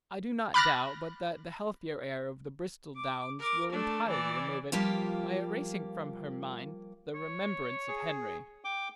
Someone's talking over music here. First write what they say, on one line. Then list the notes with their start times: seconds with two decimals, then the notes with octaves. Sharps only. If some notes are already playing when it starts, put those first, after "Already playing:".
I do not doubt but that the healthy air of the Bristol downs will intirely remove it, by erasing from her Mind the remembrance of Henry.
0.54 B5 D6 F6 F#6 A6 A#6
2.96 D6
3.40 A#4 D6
3.72 A3 D4
4.07 E3 D5
4.72 F3 G3 A#3 F4 G4
7.15 C#5
7.88 G#4
8.64 G5 D6